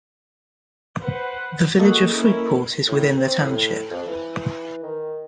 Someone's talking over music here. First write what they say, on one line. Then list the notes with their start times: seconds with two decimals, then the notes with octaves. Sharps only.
The village of Fruitport is within the township.
1.00 B4 C5 F#5
1.79 A#3 F#4 G#4 A4 D#5
2.10 C#4 E4 A#4
2.88 A2
3.17 C4
3.40 A2
3.91 F2
4.07 E3
4.83 D#3